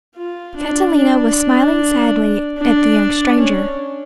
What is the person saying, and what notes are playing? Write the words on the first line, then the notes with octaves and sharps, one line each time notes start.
Catalina was smiling sadly at the young stranger.
F4
D4
D4
D4
C#4